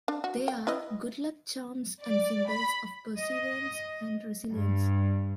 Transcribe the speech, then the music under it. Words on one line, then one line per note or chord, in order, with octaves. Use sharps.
They are good-luck charms and symbols of perseverance and resilience.
D4
F#4
G5
E4 B4 D#5
D5
B5
D#5
G2